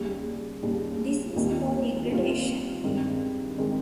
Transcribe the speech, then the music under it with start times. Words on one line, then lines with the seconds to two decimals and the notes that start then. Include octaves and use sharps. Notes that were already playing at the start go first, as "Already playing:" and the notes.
This is core degradation.
Already playing: D#2 C#3 G3
0.62 D#2 C#3 G3
1.36 D#2 D#3 G3 C4 F4
2.10 D#2 D#3 G3 C4 F4
2.84 G2 D#3 G#3 C4
3.58 D#3 G#3 C4